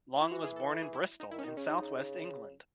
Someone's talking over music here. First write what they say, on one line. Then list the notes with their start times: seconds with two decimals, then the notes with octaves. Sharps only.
Long was born in Bristol, in south-west England.
0.21 E4
0.31 E3 F#4
0.44 G#4
0.56 A4
0.69 A4
0.82 G#4
0.94 E4
1.20 D#4
1.31 D#3 E4
1.39 C#4
1.44 D#4
1.47 D#3
1.57 C#3 C#4
1.70 D#4
1.81 C#3